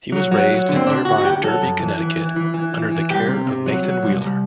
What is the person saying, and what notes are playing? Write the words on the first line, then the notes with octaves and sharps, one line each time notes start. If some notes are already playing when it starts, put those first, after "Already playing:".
He was raised in nearby Derby, Connecticut, under the care of Nathan Wheeler.
F#3
F#3
F#3
D3
C4
D2 D4
D2 F#4
F#4
D2 G4
F#3 A4
F#2
E3
E3
E3
E3
E3
E3
E3
C2 G4
C3
C3
F#3
F#3
C2
C2